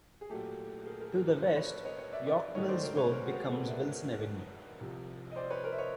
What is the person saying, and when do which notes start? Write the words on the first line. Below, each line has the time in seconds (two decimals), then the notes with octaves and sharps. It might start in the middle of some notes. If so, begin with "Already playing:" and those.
To the west, York Mills Road becomes Wilson Avenue.
0.21 G#4
0.30 A#2 F#3 A3 G4 A4
0.86 G#4 A#4
1.01 G#4 A#4
1.14 G#4 A#4
1.28 A4 B4
1.35 C5
1.42 B4 C#5
1.56 B4 C#5
1.85 C#5 D#5
1.98 C#5 D#5
2.13 D5 E5
2.26 D5 E5
2.55 G#2 D#3 F#3 A3 C#5 D#5
2.69 C5 D5
2.83 A#4 C5
2.97 B4 C#5
3.11 A#4 C5
3.26 F#4 G#4
3.39 F#4 G#4
3.53 A4 B4
3.68 D5 E5
4.80 C2 C3 F3
5.32 D#5
5.36 C5 D5
5.50 B4 C#5
5.64 A#4 C5
5.72 E5
5.78 C#5 D#5